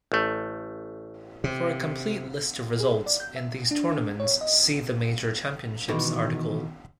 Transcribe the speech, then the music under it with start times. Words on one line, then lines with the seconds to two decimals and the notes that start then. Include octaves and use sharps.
For a complete list of results in these tournaments see the major championships article.
0.12 A1 A3
1.44 C3
2.80 G#4
3.06 D5
3.20 G6
3.36 E5
3.71 D4
4.20 C#5
4.41 D#5
5.88 B2 D#3 E3